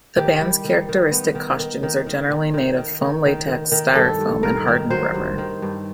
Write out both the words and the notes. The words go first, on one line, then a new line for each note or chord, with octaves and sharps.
The band's characteristic costumes are generally made of foam latex, styrofoam, and hardened rubber.
D#3 G4
G3
D#3
D#3
B3
D#3
D#3
D#3
D#3
D#3
D#3
D#3
D#3
D#3
D#3
D#3
G2 A4
G2
G2 A#4
D#3
F#3 C5
G2
D#3
G2